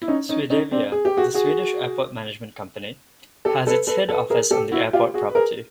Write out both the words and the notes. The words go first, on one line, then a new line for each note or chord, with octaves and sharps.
Swedavia, the Swedish airport management company, has its head office on the airport property.
E4
C#4 D#4
C#4 D#4
C#4 D#4
C4 D4
G#4
G4
F#4 G#4
F#4 G#4
G4 A4
A4 B4
A4 B4
A4 B4
G#4 A#4
G4 A4
E4 F#4
F4 G4
F#4 G#4
B4
G#4 A#4